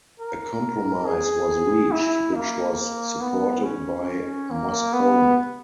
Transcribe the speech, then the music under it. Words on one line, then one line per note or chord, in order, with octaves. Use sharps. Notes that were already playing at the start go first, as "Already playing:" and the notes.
A compromise was reached which was supported by Moscone.
A#4
G#4
E4
A#3
B3
C#4
A#3
B3